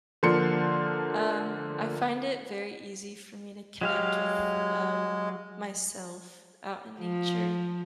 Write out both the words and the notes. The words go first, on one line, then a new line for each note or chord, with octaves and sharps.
Um, I find it very easy for me to connect with, um, myself out in nature.
D3 F3 A#3 C6 C#7
F#3 G#3 G4 F5
F3